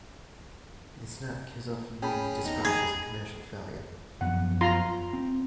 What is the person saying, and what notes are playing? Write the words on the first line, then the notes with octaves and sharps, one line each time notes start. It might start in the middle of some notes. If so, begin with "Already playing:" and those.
The snack has often been described as a commercial failure.
C#4 G#4 G5 A5 B5
E2 D#4 A#5
G#4
F#2 F3 B3 F#5
F4 A#5 C6
C4